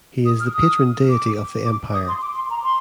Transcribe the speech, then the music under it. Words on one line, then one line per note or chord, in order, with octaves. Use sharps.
He is the patron deity of The Empire.
D#6
F6
D#6
D6
D6
D#6
C6
D6
C6
A#5
C6